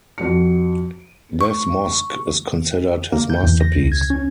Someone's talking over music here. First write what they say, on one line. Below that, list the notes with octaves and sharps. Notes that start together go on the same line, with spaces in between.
This mosque is considered his masterpiece.
F2 F#4 C#7
C#6
A#3
G6
E2
A#6
C#2
G#6
C#4